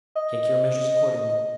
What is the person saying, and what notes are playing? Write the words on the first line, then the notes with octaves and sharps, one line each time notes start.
Take your measures accordingly.
D#5